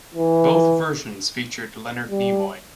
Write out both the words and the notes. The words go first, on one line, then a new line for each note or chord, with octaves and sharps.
Both versions featured Leonard Nimoy.
E3
G3